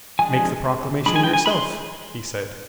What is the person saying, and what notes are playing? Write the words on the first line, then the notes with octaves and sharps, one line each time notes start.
Make the proclamation yourself, he said.
F3 G#3 D4 G#5
F3 G#3 D4 B5
G#5
G5
G#5
B5
C6